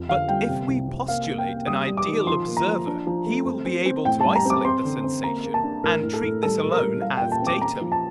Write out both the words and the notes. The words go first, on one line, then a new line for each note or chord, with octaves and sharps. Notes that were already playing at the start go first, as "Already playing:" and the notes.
But if we postulate an ideal observer, he will be able to isolate the sensation, and treat this alone as datum.
Already playing: F2
D3 F5
G3 G5
C3
C2
C3
A#3 F5
A#3
G5
A#3
G3 D#6
G3
D6
D#3
F3 C6
A#3
A#5
F3
D4
F3
A3
C4
C4
C4
A2 G5
A5
G3
A#5
C4 D6
C4 C6
D3
C4
A#3 A#5
A#3
A5
D4
A2 A#4
A2
A4
A2
G3 A4
A#2
A#4
G3
G3 F5
G5
A#2
A5
C4 D6
A#3 A#5
F3
A5